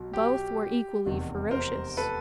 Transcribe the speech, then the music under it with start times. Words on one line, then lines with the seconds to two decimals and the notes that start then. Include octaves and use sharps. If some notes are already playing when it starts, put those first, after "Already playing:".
Both were equally ferocious.
Already playing: B1 B2 F#3
0.13 G4
1.06 F1 E2 C3 D#3
1.51 A#4 C5
1.97 A4 B4